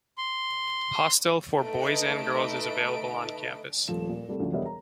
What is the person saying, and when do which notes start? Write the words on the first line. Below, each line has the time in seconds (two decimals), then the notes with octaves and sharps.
Hostel for Boys and Girls is available on campus.
0.18 C6
1.57 A3 D#4 A4 B4 D#5 D7
3.88 D#1 F3 A3 E7
4.09 A#2
4.28 C2 G3 A3
4.40 D2 C#3 F3 D4
4.53 E1 G3 B3 D#5 E5
4.66 A#5